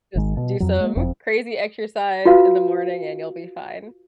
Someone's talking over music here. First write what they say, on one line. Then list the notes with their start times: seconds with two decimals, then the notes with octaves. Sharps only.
Just do some crazy exercise in the morning, and you'll be fine.
0.15 G#1 D#3 G#3
0.37 B2
0.60 F2 F#3
0.80 G#3 A#3
0.95 F#1 F2 C4
2.25 F4 F#4 B4 F5